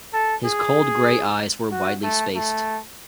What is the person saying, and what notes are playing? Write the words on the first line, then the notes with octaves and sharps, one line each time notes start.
His cold grey eyes were widely spaced.
A4
G#4
F#4
A3
A3